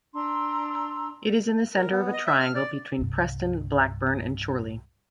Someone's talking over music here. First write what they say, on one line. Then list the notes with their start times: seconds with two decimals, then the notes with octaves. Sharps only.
It is in the centre of a triangle between Preston, Blackburn, and Chorley.
0.14 D4 A#5 C6 E6
1.74 A#4
1.90 B3
2.13 D#5
2.26 E5
2.40 F6
2.55 D5
2.98 C2 G2